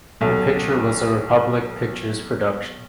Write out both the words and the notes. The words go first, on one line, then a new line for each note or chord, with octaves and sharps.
The picture was a Republic Pictures production.
D#1 B1 A4